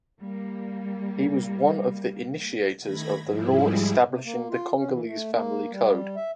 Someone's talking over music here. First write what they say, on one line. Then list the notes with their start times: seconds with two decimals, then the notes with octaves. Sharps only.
He was one of the initiators of the law establishing the Congolese Family Code.
0.19 G3 A#3
2.81 D#3 A3 B5 G#6 A#6
3.24 G#2 F3 G3 G#3 E4
4.07 C3
4.25 A#3
4.49 F4
4.76 C#4
4.91 E3
5.06 A3
5.32 A#3
5.72 G3
6.16 E5